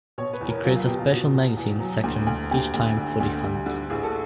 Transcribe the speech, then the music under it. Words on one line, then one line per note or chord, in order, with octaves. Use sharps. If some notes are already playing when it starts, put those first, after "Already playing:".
It creates a special magazine section each time for the Hunt.
B2 C#5
B4
E2
A#4
F#3 F4
F4
B2 G4
F4
B2 F#4
B2
E2
F#3
D2
D2
D2 G4
D2
D3
D2
G3
D3
A1 G#4
A4